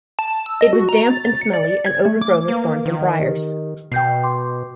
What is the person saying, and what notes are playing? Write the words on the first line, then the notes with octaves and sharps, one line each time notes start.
It was damp and smelly, and over-grown with thorns and briars.
A5
E6
D#5
F#4
A#5
A6
C#7
D5
G#6
A3
D6
A#3 B4 F5
D#3
G4 D#5
B2 G5 G6 C7
C6 D6